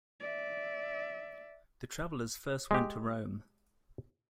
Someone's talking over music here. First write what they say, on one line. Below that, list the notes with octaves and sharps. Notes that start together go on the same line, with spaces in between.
The travellers first went to Rome.
D5 E5
G#3 G4